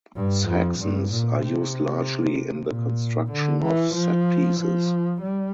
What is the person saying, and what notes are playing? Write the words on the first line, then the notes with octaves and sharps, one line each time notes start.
Saxons are used largely in the construction of set pieces.
G2
F2
G2
A#2
C3
A#2
D3
E3
F3
F3
G3